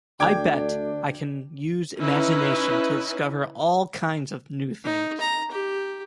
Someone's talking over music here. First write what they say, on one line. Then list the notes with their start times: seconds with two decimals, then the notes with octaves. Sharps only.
I bet I can use imagination to discover all kinds of new things!
0.20 D2 D4 G5 D6 G#6
1.99 C#4 D#4 E4 B4
4.84 D#4
5.20 A#5
5.51 G4